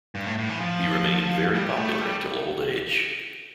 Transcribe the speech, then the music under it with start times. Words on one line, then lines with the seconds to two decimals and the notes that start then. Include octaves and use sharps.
He remained very popular until old age.
0.15 G2
0.26 A2
0.38 A2
0.49 E3
0.60 F3
1.54 G3
1.77 A3
2.01 G3